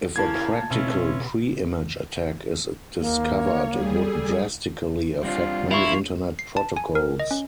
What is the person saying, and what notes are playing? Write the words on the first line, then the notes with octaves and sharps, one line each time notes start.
If a practical preimage attack is discovered, it would drastically affect many Internet protocols.
C#3 A#3 E4 A5 G#6
B2 C4 C#4 E4 F4
D#2 A#3
C#5
G3 G#4
A4
G3 C4 D4 F4
D4 E4 F4 C6 C#6 C7 F7
C7
A5
G#5
A#4
D#5
C#4